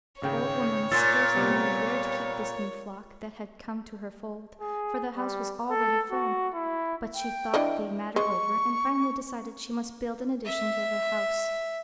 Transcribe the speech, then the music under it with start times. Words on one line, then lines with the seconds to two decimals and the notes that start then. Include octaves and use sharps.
The old woman scarcely knew where to keep this new flock that had come to her fold, for the house was already full; but she thought the matter over and finally decided she must build an addition to her house.
0.22 G#1 C#3 C#5 G5
0.92 A#2 G#5 C6 E6 A6
1.35 C3 G3 B3
4.61 G#4
5.17 G3
5.70 A4
6.12 F#4
6.54 E4
7.15 G5
7.54 E3 D4 D#5
8.16 G#3 C#6
10.45 E5